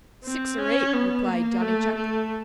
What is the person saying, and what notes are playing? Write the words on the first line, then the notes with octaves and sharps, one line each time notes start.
"Six or eight," replied Johnny Chuck.
C4
C#4
B3
A#3
A3
A3